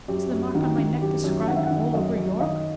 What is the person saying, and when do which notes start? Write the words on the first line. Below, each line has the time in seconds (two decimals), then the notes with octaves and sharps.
"Is the mark on my neck described all over York?"
0.08 F#2 G4
0.31 F#2
0.54 D#3 F#4
0.78 D#3
1.01 F#2 G4
1.24 F#2
1.47 D#3 F#5
1.57 E5
1.65 F#5
1.70 D#3
1.94 F#2 D#5
2.17 F#2
2.40 D#3 D#5